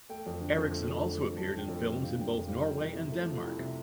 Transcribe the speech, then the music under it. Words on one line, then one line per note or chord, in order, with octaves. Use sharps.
Eriksen also appeared in films in both Norway and Denmark.
A3 G5
F2
D3
F2
A3
F2
D3
F2
D3 A5
F1 G5
F2
G3 G5
D3 F5
F1
G5
F2
F5
G3
F3 G5
C2
C3
A3
F3
C2
C3